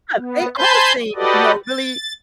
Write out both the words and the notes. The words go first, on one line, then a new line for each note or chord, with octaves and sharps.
Yeah, they all seem, you know, really
B3
C5 G#5 A5 B5 C6 G6
F#4 G4 A4 B4 D5 D#5
A6